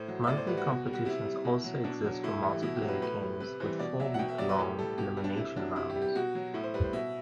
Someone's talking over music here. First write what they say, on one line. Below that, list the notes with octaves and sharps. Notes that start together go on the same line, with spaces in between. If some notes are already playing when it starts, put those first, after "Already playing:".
Monthly competitions also exist for multiplayer games with four week-long elimination rounds.
Already playing: A2 C5
F#3
E5
A2 D5
C5
G3 B4
F#4
B2
G3
F#4
C3 E4
G3
B2
F#3
B2 D4
F#3
A2 E4
E3 G3
B2 E4
G4
F#3
B4
A2 B4
G3
C3 B4
E3 G3 C5
B2 D5
F#3 E5
F#5
B2 G5
E5
F#3 D5
B4
A2 G4
G3 A4
B2 G4
G3
D4
C3 E4
F#3 D4
C3 E4
G4
G3
G4
B2 F#4
F#3
A2 E4
C5
G3 B4
C5
B2 E5